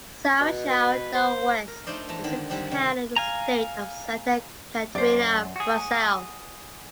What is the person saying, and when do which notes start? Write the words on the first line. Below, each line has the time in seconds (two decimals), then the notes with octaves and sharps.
São João do Oeste is a town in the state of Santa Catarina, Brazil.
0.40 B2
0.71 B4
1.15 C5
1.68 A#4
1.86 A3 D4 D#4 C5 D5 D#5
2.08 E2 A3 A5 A#5
2.24 D3 D#3 G#3
2.50 D3 D#3 G3 C4 D4
2.72 C3 G3
3.16 F5 G#5 A#5
4.95 F#2 C5 D5
5.56 F#4 G#4